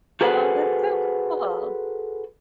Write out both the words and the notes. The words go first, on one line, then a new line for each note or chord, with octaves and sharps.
Oh, that's so cool.
F#4 G#4 A4 B4 C5 F#5